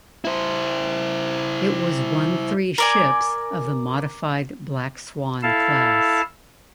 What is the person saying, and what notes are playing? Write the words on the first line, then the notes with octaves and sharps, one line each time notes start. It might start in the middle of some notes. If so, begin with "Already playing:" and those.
It was one three ships of the modified "Black Swan" class.
E4 C5
A#4 D5 G#5
E4 A4 F5 A5